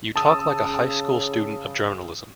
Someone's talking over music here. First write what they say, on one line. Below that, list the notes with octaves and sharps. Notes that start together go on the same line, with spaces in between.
You talk like a high-school student of journalism.
C#3 A5 D#6 E6